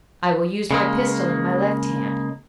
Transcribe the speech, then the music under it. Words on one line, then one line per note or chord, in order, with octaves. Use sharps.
I will use my pistol in my left hand.
C#3 G#3 A#3